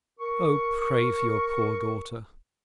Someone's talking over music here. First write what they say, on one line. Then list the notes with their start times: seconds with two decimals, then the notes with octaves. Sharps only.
O pray for your poor daughter.
0.20 A#4 C#6